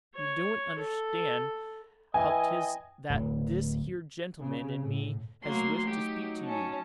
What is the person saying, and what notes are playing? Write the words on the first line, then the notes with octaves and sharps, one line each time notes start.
'You doen't understand how 'tis that this here gentleman and me has wished to speak to you.
C#5
A4
E3 D#5 G5 G#5
D1
C#3
A2
F#3 A3 A#3 F#4 C6
F#3 D#4 G4
C#4 A5